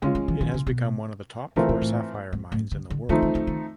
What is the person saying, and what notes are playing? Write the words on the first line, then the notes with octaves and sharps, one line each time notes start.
It has become one of the top four sapphire mines in the world.
D3 G#3 C#4 F4
D#3
E3
D#3
C#3
B2
B2 E3 A3 C4 F4 A#4
A#2
A2
G#2
A2
D3
D3
D#3 F3 A3 C4 D#4
E3
D#3
D#3